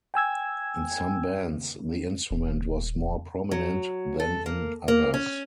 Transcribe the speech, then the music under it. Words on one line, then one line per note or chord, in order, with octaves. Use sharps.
In some bands, the instrument was more prominent, than in others.
G5 G#5 E6 G#6
D#1
F#3
A4
A#3
A#3
C#4